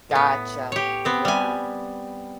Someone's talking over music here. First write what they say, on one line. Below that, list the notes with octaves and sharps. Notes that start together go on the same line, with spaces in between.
Gotcha, yeah.
A2 B3
G4 C#5
B3 C4
G3 G#5